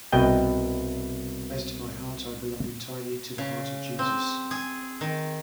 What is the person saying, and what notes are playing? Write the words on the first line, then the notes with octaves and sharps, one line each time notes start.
As to my heart, I belong entirely to the Heart of Jesus.
C2 B2 D#5 G5
C#3
C4
G#4
D#3